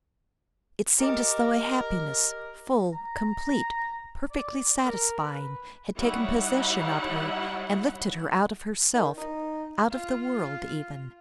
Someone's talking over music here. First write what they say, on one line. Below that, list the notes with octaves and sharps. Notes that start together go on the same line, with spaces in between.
It seemed as though a happiness--full, complete, perfectly satisfying--had taken possession of her, and lifted her out of herself-- out of the world even.
G4 A#4 D#5 D6
A#5
D5
A#4
B4
G3 D#4 E4 C#5 E5 F#5
D#3
D#4
F4 F5